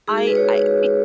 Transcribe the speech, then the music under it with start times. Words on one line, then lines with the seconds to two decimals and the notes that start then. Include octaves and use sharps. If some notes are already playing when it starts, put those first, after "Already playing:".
I I be
0.08 G#3 D#4 F#4 G#4
0.18 G#4
0.27 B4
0.37 C#5